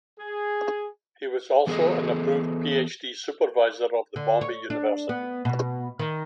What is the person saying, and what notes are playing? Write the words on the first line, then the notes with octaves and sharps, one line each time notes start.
He was also an approved PhD supervisor of the Bombay University.
G#4
E3 B3 G#4 A4 D#5
D3
C#5
D4
B3
B2
D#3